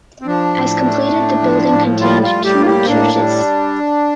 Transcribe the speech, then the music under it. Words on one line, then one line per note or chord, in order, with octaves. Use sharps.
As completed the building contained two churches.
C4
F3 D4
A2
A3
A2
F3
A2
F3 G3 F4
F3 F4
A2
G3 G4
A#3 F4
G3 G4
C4
A2 D4
G3